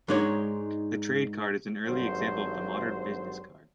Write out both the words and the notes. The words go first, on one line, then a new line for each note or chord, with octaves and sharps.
The trade card is an early example of the modern business card.
G#2 G#3 D4 D#4 C#5
G#1 G2 F#3 C5